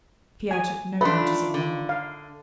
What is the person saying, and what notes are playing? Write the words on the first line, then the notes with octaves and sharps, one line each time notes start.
Pierre took no notice of them.
G#5
D#3 A3 D4 F4 B4 B5 C6
D3
F5